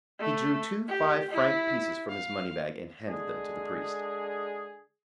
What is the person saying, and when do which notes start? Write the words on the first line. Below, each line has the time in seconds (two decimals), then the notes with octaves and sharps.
He drew two five-franc pieces from his money-bag and handed them to the priest.
0.19 A3
0.88 G4
1.31 E4
2.09 F5
3.08 D3 G#3 G#4